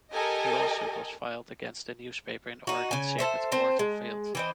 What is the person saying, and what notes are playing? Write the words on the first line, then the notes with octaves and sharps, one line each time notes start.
A lawsuit was filed against the newspaper in Oregon Circuit Court and failed.
G4 A4 A#4 D#5 G#5
D#4 F#4
C#3 G#5
A4 C5 E5
C4 C5 A5
G#3
E3 C4 D#5